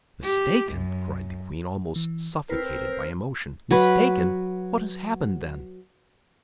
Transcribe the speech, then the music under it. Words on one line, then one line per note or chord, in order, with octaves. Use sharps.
"Mistaken!" cried the queen, almost suffocated by emotion; "mistaken! what has happened, then?"
G4
F#2
E3
C4 E4 A#4 B4 B6 C7
C5
F#3 B4